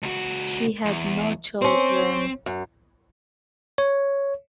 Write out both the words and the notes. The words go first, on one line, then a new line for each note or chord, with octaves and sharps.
She had no children.
C#2 F#4
E2
C4 C#4 C5
F#2
C#5